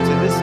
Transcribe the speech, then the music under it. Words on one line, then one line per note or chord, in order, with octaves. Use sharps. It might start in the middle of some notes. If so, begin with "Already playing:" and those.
To this
Already playing: E2 C3 F3 A4